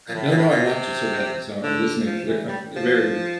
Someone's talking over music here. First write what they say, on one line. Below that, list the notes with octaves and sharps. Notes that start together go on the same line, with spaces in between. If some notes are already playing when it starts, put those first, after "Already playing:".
No, no, I want to so badly, so I'm listening clear uh, eh very
A#2
A2
A#2
A2
A#2
C3
D3
F3
E3
G3
F3